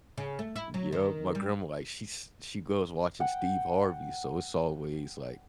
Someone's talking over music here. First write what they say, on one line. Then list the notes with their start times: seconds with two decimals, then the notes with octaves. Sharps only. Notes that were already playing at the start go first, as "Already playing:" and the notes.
Yep, my grandma, like, she's she goes watching Steve Harvey, so it's always like
0.17 C#3
0.39 A3
0.56 E4
0.74 F#3
0.92 D#3
1.35 G3
3.20 F#5 G5